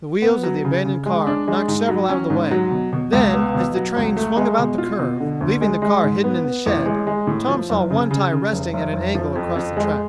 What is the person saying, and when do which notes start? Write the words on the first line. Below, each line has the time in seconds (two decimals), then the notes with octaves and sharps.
The wheels of the abandoned car knocked several out of the way; then, as the train swung about the curve, leaving the car hidden in the shed, Tom saw one tie resting at an angle across the track.
0.22 B3
0.43 F#3
0.65 C#3
0.85 C#3
1.06 G#3
1.27 D4
1.48 G#3
1.68 G#2
1.88 F#3
2.09 C#4
2.30 G#2
2.51 F#3
2.71 B2
2.93 B2
3.13 C#2
3.33 B3
3.54 B2
3.76 F#3
3.96 C#2
4.17 A3
4.37 G#3
4.59 B2
4.78 F4
4.99 B2
5.20 D3
5.41 D2
5.61 G#3
5.82 G#3
6.04 G#2
6.24 B3
6.44 B3
6.66 A1
6.86 G#3
7.07 G#3
7.27 A2
7.48 F3
7.69 F#1
7.91 C#3
8.11 C#3
8.32 C#3
8.52 F1
8.73 F1
8.93 F1
9.15 F3
9.36 F2
9.56 F2
9.77 G#3